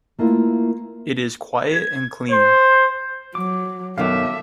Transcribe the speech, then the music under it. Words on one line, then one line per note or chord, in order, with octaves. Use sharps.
It is quiet and clean.
A3 A#3 E4 F4 B4
G#6
C5
F#3 D6
F#2 B2 D#3 A4 E5 F5 D6